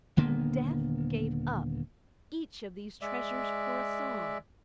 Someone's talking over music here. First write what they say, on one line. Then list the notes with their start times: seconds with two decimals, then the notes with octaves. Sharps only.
And Death gave up each of these treasures for a song.
0.17 D#1 D3 A#3 B3
3.02 G#3 D5 E5